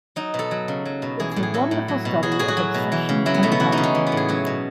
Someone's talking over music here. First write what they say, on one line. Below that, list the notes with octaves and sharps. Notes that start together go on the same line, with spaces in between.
It's a wonderful study of obsession and love.
F#3 D#4
B2
A4
F#3
C#3
F#3
B2
E3 G#4
A2 G#4
G#4
F#3 A4
A2
F#3
B2
F#3 G#4
F#4
A2 G#4
F#4
F#3
B2
E3
C#3
F#3 E4
B3
B2 A3
B3
E3 F#4
D#4
C#3
C#4
E3
B3
A2
G#4
F#3 C#4
B2